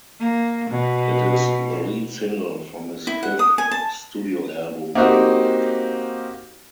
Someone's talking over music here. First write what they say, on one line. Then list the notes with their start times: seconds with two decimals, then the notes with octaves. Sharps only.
It is the lead single from his fifth studio album "Hey World".
0.20 A#3
0.70 B2
3.07 E4
3.23 F#5
3.39 D#6
3.58 G#5
3.71 A5
4.95 A#3 C4 D#4 F#4 G4